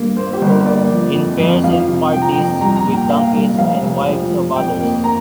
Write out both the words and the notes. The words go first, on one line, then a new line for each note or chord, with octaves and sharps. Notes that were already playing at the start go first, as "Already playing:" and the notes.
In fairs and parties, with donkeys and wives of others.
Already playing: G2 A#3
A#3 C5
G4
G1
A#4
A#3 D5
F3
F2
F2
F3 F5
C3
F3 G5
A#5
F2 G5
C2 A#5
A#5
A#2
G5
A#3 F5
C2
F1 F5
F1
F3
F1
F2 G5
A#3
A#3 A#5